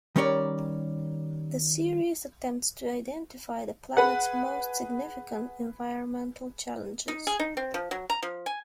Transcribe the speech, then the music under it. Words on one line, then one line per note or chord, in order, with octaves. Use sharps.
The series attempts to identify the planet's most significant environmental challenges.
D#3 G3 C#4 A#4 C#5 D5
G#4 B4 F#5 B5
D#4
G#4
D#4
C4
F3
F#3
A#5
F3
G#5